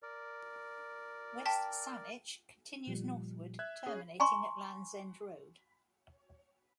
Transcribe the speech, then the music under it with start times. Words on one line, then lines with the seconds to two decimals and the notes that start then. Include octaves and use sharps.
West Saanich continues northward, terminating at Land's End Road.
0.03 A#4 D5
1.45 G5 A5 B6
2.87 A#2 F3 G3
3.59 E5 F#6 G#6
3.87 C#4 G#4
4.20 G#5 A#5 C6 C#6